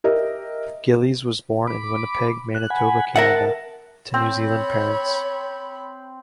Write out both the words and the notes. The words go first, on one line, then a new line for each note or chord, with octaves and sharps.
Gillies was born in Winnipeg, Manitoba, Canada to New Zealand parents.
G4 A#4 D#5 E5
B5 D6
F#6
F#5 G#5 B5
A#4 E5 F#5 A5
C4 C#5 B5